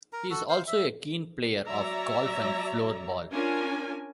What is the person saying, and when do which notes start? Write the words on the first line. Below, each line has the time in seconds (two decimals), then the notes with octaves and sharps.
He is also a keen player of golf and floorball.
0.13 A#4 A#5
0.30 F#4 A4
0.49 C5 F5
0.67 E5
1.66 F#3 C#5 D5 E5 A#5
3.32 C#4 D4 F4 A#4 G#5